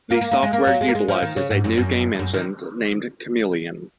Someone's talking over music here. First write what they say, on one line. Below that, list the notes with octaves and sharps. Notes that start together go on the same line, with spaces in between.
The software utilizes a new game engine named Chameleon.
A#3
A#3
A#3
G#3
A#3
F#3
G#3
A#3
G#3
F3
D#3
C#3
G#2
F#2
F#2
F#2
D#3